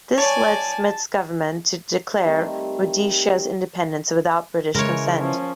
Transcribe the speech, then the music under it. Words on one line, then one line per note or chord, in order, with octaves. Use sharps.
This led Smith's government to declare Rhodesia's independence without British consent.
C#5 D5 G#5 A5
D#3 G3 A3 C4
C#3 E3 G#3 A#4 C#5
F3 C#4